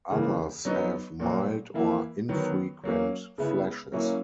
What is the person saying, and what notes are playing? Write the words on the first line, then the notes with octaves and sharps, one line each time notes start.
Others have mild or infrequent flashes.
C#3 E3 A#3
F#3 B3 D#4
A#2 F#3 A#3
E3 A#3 E4
D#3 F#3 B3
F#3 A#3 C#4
C#3 G#3 B3 E4
F#3 A#3 C#4 E4